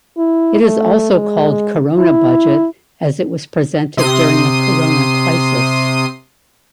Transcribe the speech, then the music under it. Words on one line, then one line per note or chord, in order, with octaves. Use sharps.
It is also called Corona budget as it was presented during the Corona Crisis.
E4
A3
G#3
E4
C3 C6 D#6 C7 D#7